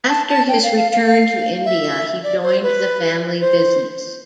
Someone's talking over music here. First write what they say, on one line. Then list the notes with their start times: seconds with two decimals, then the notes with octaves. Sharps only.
After his return to India, he joined the family business.
0.09 A5
0.29 A5
0.48 G5
0.63 F5
0.77 F5
0.92 F5
1.07 F5
1.65 E5
2.23 D5
2.43 C5
2.63 B4
3.41 C5